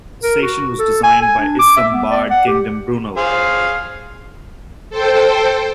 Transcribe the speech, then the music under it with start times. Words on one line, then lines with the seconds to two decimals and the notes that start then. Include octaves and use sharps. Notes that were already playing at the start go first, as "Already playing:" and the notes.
The station was designed by Isambard Kingdom Brunel.
0.23 A#4
0.42 F#4
0.79 A4
1.04 G#5
1.22 G#5
1.40 D4
1.59 D6
1.77 E5
1.92 B3
2.10 D5
2.30 F#5
2.47 G4
3.17 G#4 C5 F5
4.90 A4 C5 G5